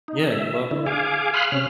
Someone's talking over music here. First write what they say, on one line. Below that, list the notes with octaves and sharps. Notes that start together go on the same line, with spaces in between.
Yeah, you're welcome.
D#4
E5
D3 E4
G#4 F5 G#5 D6
F5 B5 C6 D#6 F6 F#6
C3 C#4 F6